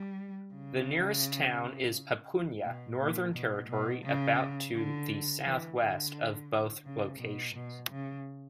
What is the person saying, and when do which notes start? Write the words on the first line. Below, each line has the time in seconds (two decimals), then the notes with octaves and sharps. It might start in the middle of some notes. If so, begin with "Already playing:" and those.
The nearest town is Papunya, Northern Territory, about to the southwest of both locations.
Already playing: G3
0.54 C#3
2.64 B2
2.98 A#2
3.34 B2
3.69 B2
4.04 C#3
4.75 D3
5.44 E3
5.80 D3
6.85 C#3
7.20 B2
7.54 B2
7.90 C#3